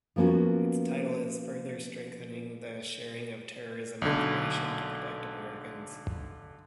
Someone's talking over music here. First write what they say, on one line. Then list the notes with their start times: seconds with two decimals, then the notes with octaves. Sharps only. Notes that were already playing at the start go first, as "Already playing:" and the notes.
Its title is Further Strengthening the Sharing of Terrorism Information To Protect Americans.
0.16 F3 A#3 B3 C#4 F#4
4.02 B1 D3